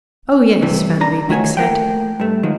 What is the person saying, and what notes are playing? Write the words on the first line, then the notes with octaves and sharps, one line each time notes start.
"Oh, yes," van Riebeek said.
G2 C3 E3
D4 A#5
D#3 A3 F#4 C#5 G#5
A3 A#3 A#4 F#5 G5
G2 A3
D#3 F3 F#3 G#3